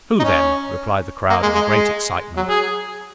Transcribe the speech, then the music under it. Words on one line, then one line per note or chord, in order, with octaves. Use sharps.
"Who, then?" replied the crowd in great excitement.
D#4
C#4
A#3
G#3
G#3
G#3
F#3
G#4